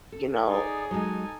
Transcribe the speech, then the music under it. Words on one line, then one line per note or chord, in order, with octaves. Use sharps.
you know,
A4
D#4 G#4 D5
F#3 G#3 D#4 A4 G#5